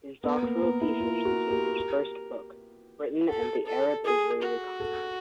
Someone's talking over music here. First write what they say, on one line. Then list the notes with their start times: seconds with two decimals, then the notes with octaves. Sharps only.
His doctoral thesis became his first book, "Britain and the Arab-Israeli Conflict".
0.24 B3 A#4
0.43 A#3
0.62 B3
0.81 E4
1.00 F4
1.25 F#4
1.51 G4
3.29 A4
3.66 A4
4.04 G#4
4.43 F#4
4.80 A4